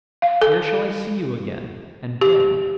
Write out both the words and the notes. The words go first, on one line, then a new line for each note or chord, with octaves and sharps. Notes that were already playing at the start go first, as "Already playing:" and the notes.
Where shall I see you again, and when?
F5
A4
G4